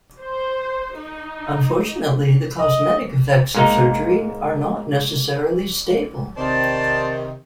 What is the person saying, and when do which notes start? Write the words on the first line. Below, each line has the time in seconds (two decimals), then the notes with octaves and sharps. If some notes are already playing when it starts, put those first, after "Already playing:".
Unfortunately, the cosmetic effects of surgery are not necessarily stable.
0.19 C5
0.97 D#4
2.59 D#5
3.55 G#2 A#3 D#4
6.37 C3 D#3 C5 D5 A5